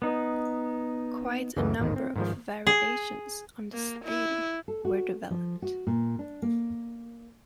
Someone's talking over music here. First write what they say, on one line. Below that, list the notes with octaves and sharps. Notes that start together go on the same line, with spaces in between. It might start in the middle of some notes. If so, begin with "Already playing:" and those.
Quite a number of variations on this theme were developed.
B3 D#4
C#2 F#2 C#3 E3
A1 D#2 G#2 D#3 D#4
C4
G#2 D#3 F3
G#4
A#3
E4
A4
F#4
F3
F#4
A#2
D4
A#3